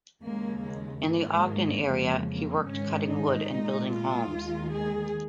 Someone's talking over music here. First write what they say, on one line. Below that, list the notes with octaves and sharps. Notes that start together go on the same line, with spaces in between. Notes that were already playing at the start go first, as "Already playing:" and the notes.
In the Ogden area, he worked cutting wood and building homes.
D#2 C#3 G#3 A#3
G#3
G#2 D#3 G#3 A#3
F2 C#3 F3 G#3 A#3
A#3
G#2 D#3 G#3 C#4
D#4
A#2 G#3
F4
D#2 D#3 G#3
G#4